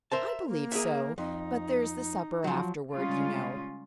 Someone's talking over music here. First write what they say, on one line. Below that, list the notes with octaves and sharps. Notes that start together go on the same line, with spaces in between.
"I believe so; but there is the supper, afterward, you know."
A#4 C5 E5 A5
A#3
G#4 A#4 E5
F2 D#4
F3 F#3
C#3 G3 G#3 C#4 F4